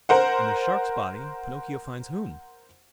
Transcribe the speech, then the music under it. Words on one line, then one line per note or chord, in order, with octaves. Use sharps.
In the Shark's body Pinocchio finds whom?
A#4 C5 F#5